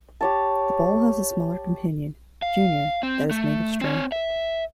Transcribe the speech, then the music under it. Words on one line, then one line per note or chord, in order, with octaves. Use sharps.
The ball has a smaller companion, "Junior", that is made of string.
G4 C#5 A5
F5
C4
A3
C4 C#5
E5